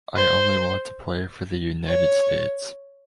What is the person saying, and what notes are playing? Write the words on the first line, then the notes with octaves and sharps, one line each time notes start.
I only want to play for the United States.
C5
C#5